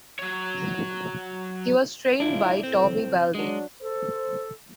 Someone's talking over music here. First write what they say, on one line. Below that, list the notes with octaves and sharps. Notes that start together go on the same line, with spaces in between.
He was trained by Toby Balding.
F#3 C#5
G#2 D4 E4 F4
A2 C4
F#3 G#3 D4
A4 C5